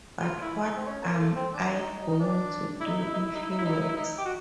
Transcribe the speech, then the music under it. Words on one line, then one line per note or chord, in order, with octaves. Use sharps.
But what am I going to do if he works?
F4
E4
D#4
C4
C#4
A#3
A3
C4
D4
D#4
D#4
D#4
D4
E4
D#4
E4
D#4
E4
D#4
E4
D#4
E4
D#4
E4
D#4
E4
D#4
G4
F#4